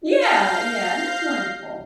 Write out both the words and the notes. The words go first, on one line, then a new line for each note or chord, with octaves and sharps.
Yeah. Yeah and that's wonderful.
F5 F6 G6 A#6 C7